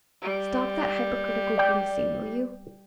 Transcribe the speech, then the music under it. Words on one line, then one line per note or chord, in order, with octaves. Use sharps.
Stop that hypocritical grimacing, will you.
G3
D5 G5